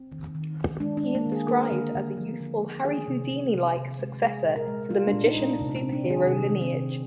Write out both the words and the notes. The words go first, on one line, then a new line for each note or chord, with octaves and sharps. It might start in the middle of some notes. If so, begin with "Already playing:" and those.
He is described as a youthful Harry Houdini-like successor to the magician super-hero lineage.
Already playing: C4
D#3
D#3
D#3
G#3 D4
D4
G#3
A#3
D#3
G#4
A#3 A#4
D3
D3
F3
D3
F3
D#3 G#4
C3
C3
C3
C3
G#3
G#3 G#4
A#2
A#4
G#3
G#3 F4
D4
A#2
D#4
A#2
D4
C3
C4
C3
D4
D#3
G#4
C3 G#4
D#3
C4
C3